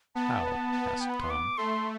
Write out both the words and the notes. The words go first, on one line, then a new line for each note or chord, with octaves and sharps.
"How?" asked Tom.
B3 A5
B3
G5
B5
C6
D6
A3 C6